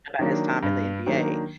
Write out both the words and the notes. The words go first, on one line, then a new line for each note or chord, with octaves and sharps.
about his time in the NBA,
D#3 F#3 A#3 D4
G2
D#3 F#3 A#3 D4